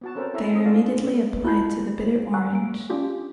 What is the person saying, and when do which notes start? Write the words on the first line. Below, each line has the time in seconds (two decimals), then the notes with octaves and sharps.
They are immediately applied to the bitter orange.
0.01 B3 F#4 A5
0.15 C4 C#4 A4 A#4 C5
0.34 E4 A4 E5 A#5
0.53 C4 D#4 A4 D#5
0.65 D4 F4 G#4 A4 F5 A5
1.45 E4 F4 A5 B5 G6 C7
2.34 F#5 G#5 A#5 C#6 E6 F#6
2.53 A#3 D7
2.90 C#4 D4 F4 G4